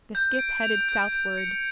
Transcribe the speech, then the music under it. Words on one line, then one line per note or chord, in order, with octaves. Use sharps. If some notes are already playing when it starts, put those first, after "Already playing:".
The skiff headed southward.
G6
D7
F7
G6
G6
C#7